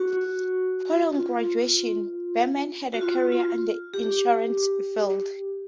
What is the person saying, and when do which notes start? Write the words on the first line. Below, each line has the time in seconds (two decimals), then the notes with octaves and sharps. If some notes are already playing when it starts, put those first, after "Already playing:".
Following graduation, Beman had a career in the insurance field.
Already playing: F#4
1.15 F4
2.94 F#4
3.01 F4
3.32 F4
3.94 G4